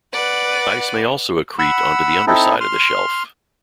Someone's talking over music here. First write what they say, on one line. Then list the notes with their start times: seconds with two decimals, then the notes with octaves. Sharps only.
Ice may also accrete onto the underside of the shelf.
0.12 B4 D5 F#5
1.59 F#5 B5 E6
2.27 C4 D#4 E4 A4
2.61 C6 F6